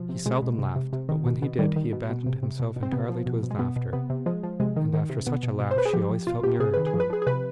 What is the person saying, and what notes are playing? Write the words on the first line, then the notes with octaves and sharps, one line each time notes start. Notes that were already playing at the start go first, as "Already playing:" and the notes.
He seldom laughed, but when he did he abandoned himself entirely to his laughter, and after such a laugh she always felt nearer to him.
Already playing: B2 F3
C3
B2 G#3
B2
C3
C3
C3
D#3
B2
B2
D#3 G3
D#3
B2
B2
C3
C3
B2
B2
C4
C3 B3
F3
B2
B2
G#3
B2 B3
B2
C3 B3
C3
F3 G#3
F3
C3 G#3
D#3
D#3
C3
B2 B3
B2
B2
C5
B2 B4
G#4
F3 G4
F3
B2 F4
B2 G4
C3 G#4
D#3 B4
G#4
F3
B4
F3 G#4
G#4
C3 B4